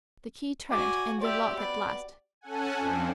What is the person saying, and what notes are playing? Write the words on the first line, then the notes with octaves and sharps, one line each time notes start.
The key turned in the lock at last.
F#4 D5 G#5
G4 C5 D5 E5
B3 D5
C#4 A4 F#5 G#5
F2 F3 C4 D4